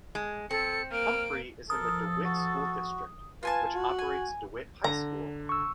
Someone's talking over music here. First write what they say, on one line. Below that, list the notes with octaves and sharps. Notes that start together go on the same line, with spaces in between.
Humphrey is in the DeWitt School District, which operates DeWitt High School.
G#3
C4 A4 C#7
A#3 F6 D7
F3 A4 A#4 D#6
F#4
F4 B4 G#5 A5
F#4
G#5
D3 A#5
C#6 E6